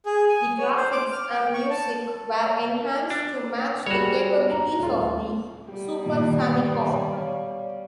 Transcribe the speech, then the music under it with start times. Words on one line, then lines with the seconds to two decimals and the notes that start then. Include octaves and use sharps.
The graphics and music were enhanced to match the capabilities of the Super Famicom.
0.06 G#4
0.29 G#5
0.59 C#5
0.77 C5
0.92 D6
1.12 F6
1.30 G5
1.54 C#6
1.70 A5
3.10 D4
3.86 G3 F#4 G#4 C#5 E7
4.51 A#5
4.79 D#1 F4
5.69 B2 G3 G4
6.06 G2 A#2 D#3
7.13 C#5 D5 F5